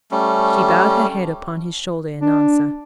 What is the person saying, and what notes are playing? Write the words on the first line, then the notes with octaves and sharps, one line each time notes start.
She bowed her head upon his shoulder in answer.
G3 A3 C#4
D4